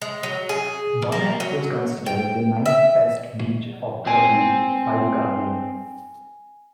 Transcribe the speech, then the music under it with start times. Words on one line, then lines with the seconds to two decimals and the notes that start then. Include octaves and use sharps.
Bonete was considered the ninth best beach of Brazil by "The Guardian".
0.02 G#3
0.23 F#3
0.49 G#4
1.12 A#3
1.40 F#3
2.06 G5
2.66 E5
4.07 C4 G#5